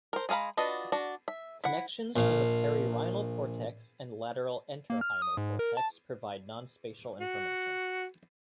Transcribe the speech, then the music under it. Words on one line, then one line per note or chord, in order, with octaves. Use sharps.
Connections from the perirhinal cortex and lateral entorhinal cortex provide nonspatial information.
A#4 C5
G#3 G#4 F5 A#5 B5
D4 F4 F#4 B4 D#5
D4 F#4
E5
E4 F#5
A#1 F5
A#3
F6
D#6
G#2
A#4
A5
F#4